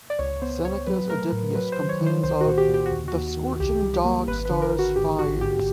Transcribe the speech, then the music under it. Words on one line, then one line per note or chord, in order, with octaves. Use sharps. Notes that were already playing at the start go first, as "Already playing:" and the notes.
Seneca's Oedipus complains of "the scorching dog-star's fires".
D5
C#2 C#5
B3 C5
C#2 C#5
F#3 B4
A3 A#4
A2
F#3 B4
C5
D#3
C#5
D#3
C5
C2 C5
F#4
A#2
G4
A#2
G4
F#4
D#2
F#4
D#2
D#3
C2 G4
G3
G4
A#3
G#1 B4
B4
D3
A#4
G#1
F#4
G#2 G4
A1 F#4
G#2 G4